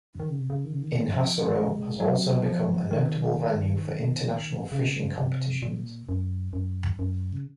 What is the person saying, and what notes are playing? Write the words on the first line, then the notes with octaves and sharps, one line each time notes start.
Inhassoro has also become a notable venue for international fishing competitions.
D#3
C#3
C3
C#3
D#3
C#3
D#3
F3
G#3
F#3
F3
D#3
C#3
C3
A#2
F#2
F#2
F#2
C#3